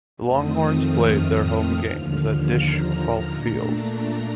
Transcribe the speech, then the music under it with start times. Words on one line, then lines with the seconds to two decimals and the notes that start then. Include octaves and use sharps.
The Longhorns played their home games at Disch–Falk Field.
0.24 F2 D#3 A3 C4 D#6
0.64 F6
1.01 D#6
1.78 D#2 D3 F3 F6
2.54 A#5
3.31 A#2 A3 D4